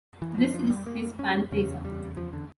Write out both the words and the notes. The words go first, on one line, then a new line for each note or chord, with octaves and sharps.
This is his Pantheism.
E3
F3
F3
G3
A#3
C#4
E2 C#3 C#4
G3
F3
D3